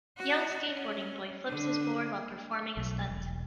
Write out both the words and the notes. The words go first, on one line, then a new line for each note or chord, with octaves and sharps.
Young skateboarding boy flips his board while performing a stunt.
F#4
C#4
D3 D4
B1
E1